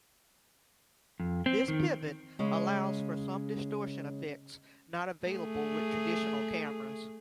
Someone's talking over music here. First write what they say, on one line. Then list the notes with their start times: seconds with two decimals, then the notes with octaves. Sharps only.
This pivot allows for some distortion effects not available with traditional cameras.
1.20 F2
1.46 C4
1.68 D#3
2.39 C#3 G#3
5.26 A3 G#4